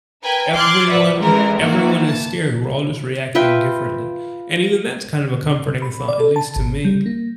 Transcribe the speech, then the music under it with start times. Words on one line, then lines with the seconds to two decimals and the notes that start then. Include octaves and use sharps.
Everyone everyone is scared, we're all just reacting differently, and even that's kind of a comforting thought, at least to me,
0.23 A#4 B4 G5 G#5
0.54 C6 D6 F6 F#6 G#6 A6
0.88 B4 D5 E5 F#5
1.20 A1 E3 G#3 A#4
1.59 D#3 E3 A#3 F#4
2.05 A5
3.35 F4 B4 E5 G5
5.82 B5
6.08 D5
6.20 A4
6.36 A5
6.56 G#1
6.85 G3
7.06 A#3